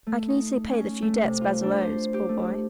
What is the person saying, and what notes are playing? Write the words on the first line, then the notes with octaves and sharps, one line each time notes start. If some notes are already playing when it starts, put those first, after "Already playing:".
I can easily pay the few debts Basil owes, poor boy.
A3
D#4
C#4
A3
C3
F4
D4
C5
G4
A3